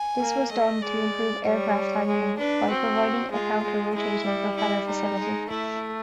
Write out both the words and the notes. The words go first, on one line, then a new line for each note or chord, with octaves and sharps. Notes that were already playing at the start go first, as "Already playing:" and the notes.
This was done to improve aircraft handling by providing a counter-rotating propeller facility.
Already playing: G#5
A#3
A3 D#5
G#3 D5
G3 C#5
G#3
D4 B4
C4 F#4
G#3 F4
G#3
G#3 E4
G3
E4
D#4
G#3
A3 E4